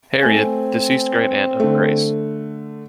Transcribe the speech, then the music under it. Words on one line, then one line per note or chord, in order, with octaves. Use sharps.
Harriet: Deceased great-aunt of Grace.
A3 C4 G#5
D3 A3